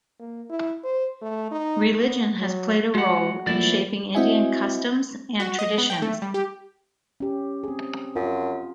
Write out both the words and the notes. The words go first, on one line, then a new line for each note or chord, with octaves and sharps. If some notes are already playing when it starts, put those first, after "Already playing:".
Religion has played a role in shaping Indian customs and traditions.
A#3
E4
C5
A3
D#4
B3
F#3
G#3 F#4 F#5
F3 A3 A#3 E4 D5
C4 E4 F#4 D#5 E5 G#5
F#4
D#5
B3
G5
A3
G3
G4
C#4 G4
C4 G#4
F#2 F4